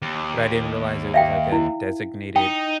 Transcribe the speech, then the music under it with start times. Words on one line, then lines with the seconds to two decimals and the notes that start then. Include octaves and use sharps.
but I didn't realize it was, like, a designated
0.02 D#2
1.14 E5 F5 G5
1.52 E4
2.36 D#4 G5